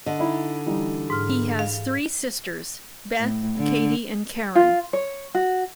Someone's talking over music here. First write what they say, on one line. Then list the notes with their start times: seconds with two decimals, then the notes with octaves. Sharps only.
He has three sisters, Beth, Katie and Karen.
0.06 D3 D#5
0.19 D#4 E4
0.66 E3 G3 D#4
1.10 G#2 F6
1.59 F5
3.20 A2
3.56 D3
4.55 F4
4.93 C#5
5.34 F#4